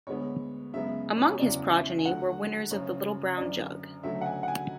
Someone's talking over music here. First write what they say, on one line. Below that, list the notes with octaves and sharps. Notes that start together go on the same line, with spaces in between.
Among his progeny were winners of the Little Brown Jug.
D2 D3 G#3 B3 C#5
F#2 C#3 G#3 B3 E5
C#5
C#5
F#1 E2 C#3 F#3 D5
E5
G#5
D2 D3 F#3 A3 F#5
F#1 F#2 C#3 C#5
F#1 F#2 D3 D5
D2 C#3 F#3 A3 E5
F#5
G#5
F#5
G#5